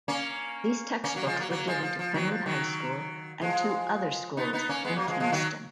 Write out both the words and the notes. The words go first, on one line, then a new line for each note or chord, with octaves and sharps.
These textbooks were given to Penwood High School and two other schools in Kingston.
A#3 C#4
A#3 C#4
F#3 A#3
F3 G#3
F#3 A#3
F#3 A#3
F3 G#3
F3
F3
D#3 F#3
F3
D#3 F#3
F3 G#3
B3 D#4
B3 D#4
A#3 C#4
G#3 B3
F#3 A#3
F3 G#3
F3 G#3
D#3 F#3